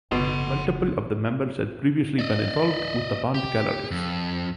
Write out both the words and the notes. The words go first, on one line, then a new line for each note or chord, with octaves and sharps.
Multiple of the members had previously been involved with the band Galleries.
F#1 B2 F#5 C6
D5 D#5
G4
F2